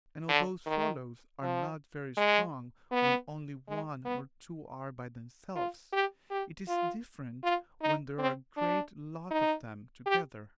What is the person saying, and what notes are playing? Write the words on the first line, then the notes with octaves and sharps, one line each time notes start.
And although swallows are not very strong when only one or two are by themselves, it is different when there are a great lot of them together.
D3
D#3
F3
G#3
B3
G#3
B3
F4
G4
G4
F4
F4
D#4
C4
D4
D#4
G4